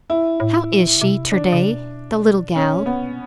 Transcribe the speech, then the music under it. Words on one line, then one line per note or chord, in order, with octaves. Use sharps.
"How is she, ter-day--the little gal?"
E4
A2
A#2
C#3
C3
C#3 D4
C#3
B2
C#4
B3